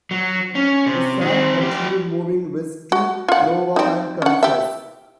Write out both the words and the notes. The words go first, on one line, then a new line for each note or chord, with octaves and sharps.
The Sac continued moving west to Iowa and Kansas.
F#3
C#4
C3
D#3 C4
F3 G4
F#4
F4 F#5
C4 D#4
C#4 F#5
G4 E5